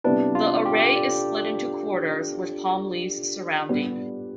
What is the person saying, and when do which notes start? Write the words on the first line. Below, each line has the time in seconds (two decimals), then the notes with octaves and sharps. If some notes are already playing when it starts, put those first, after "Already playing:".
The array is split into quarters with palm leaves surrounding.
0.04 C3 G3 B3 D4 E4 B4
0.35 F4
0.65 G4
0.72 A4
0.79 G4
0.96 D5
3.69 G3 B3 D4 G4